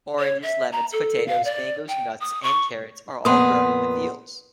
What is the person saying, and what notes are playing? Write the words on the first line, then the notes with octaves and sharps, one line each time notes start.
Oranges, lemons, potatoes, mangos, nuts and carrots are all grown in the fields.
C#5
E5
A#5
A4
F5
D5
G5
D#6
C#6
F2 A#2 B3 F#5 C6 D#6